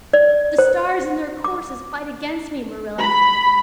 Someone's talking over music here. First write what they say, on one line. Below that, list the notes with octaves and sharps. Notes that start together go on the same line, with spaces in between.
The stars in their courses fight against me, Marilla.
D5
C5
D6
B5